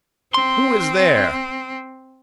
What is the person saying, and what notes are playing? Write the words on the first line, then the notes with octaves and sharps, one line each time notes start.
Who is there?
C4 C6